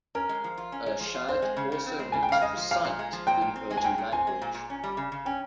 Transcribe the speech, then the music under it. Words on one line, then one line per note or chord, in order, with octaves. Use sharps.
Ershad also means "recite" in Urdu language.
C#4 A#4
G#3
F3
F4
C#4
G#3
F3
F4
C4 C5
G#3
C#3
C#3
C4
G#3
C#3 G#5
G5
C#3 F5
G#3 D#5
F3
A#2 F5
A#2
G#3
F3
A#2 G5
A#2
C4
G#3
G#5
A#2 G5
A#2
C4 G#5
G#3
A#2
A#2
C#4
G3
C#3
C#3
C#4 G5